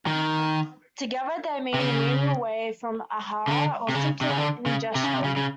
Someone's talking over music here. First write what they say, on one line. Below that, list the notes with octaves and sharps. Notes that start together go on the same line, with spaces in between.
Together they mean "weaning away from ahara", or simply ingestion.
D#3
C3
C#3
C#3
D3
C3
C#3
C3
C#3
D3
C#3
C3
C#3
C3
C#3
C#3